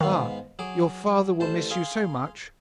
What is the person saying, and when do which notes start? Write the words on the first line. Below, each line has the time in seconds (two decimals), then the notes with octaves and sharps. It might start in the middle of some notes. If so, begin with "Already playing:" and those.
'Ah,--your father will miss you so much!
0.01 G#2 D#3 B3 F5
0.59 F#3 G#4 D6
1.40 A1 C5 A5
1.71 G#4 F5 C6